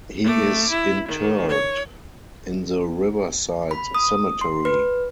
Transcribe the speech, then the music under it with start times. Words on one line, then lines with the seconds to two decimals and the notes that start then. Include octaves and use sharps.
He is interred in the Riverside Cemetery.
0.23 A3 D6
0.70 E4
1.08 D#3
1.49 C#5
3.71 B5
3.95 D#6
4.41 C6
4.65 B4